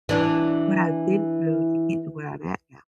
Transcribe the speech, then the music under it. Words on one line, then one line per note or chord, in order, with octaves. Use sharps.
what I've been through to get to where I'm at now.
E3 D4